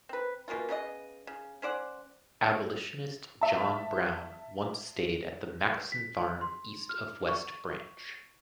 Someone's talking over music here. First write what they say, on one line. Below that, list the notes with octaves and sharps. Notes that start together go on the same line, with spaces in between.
Abolitionist John Brown once stayed at the Maxson farm east of West Branch.
C4 B4
B2 A#3 C#4 F4
C#3 B3 F4 D#5
C#3
C#4 C5 D5 F#5
E5 A5
B6
C6
F6
C#6